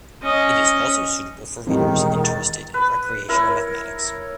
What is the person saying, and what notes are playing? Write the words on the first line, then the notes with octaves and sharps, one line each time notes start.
It is also suitable for readers interested in recreational mathematics.
C#4 D#5
F2 A2 D#3 G3
E1
A6
B4
E4 A#4 C#5